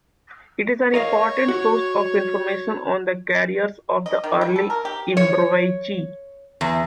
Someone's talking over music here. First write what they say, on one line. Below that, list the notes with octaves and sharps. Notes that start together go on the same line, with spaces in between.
It is an important source of information on the careers of the early Embriachi.
A#4 C#5 D#5 F5
F#4
D#5
D#3
G3
A4
A#4
G4
C#5
E2